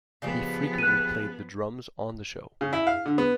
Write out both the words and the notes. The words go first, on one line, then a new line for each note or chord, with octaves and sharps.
He frequently played the drums on the show.
C#3 F3 B3 D4 G4
F#6 D#7
C#3
E4
F5
D3
B3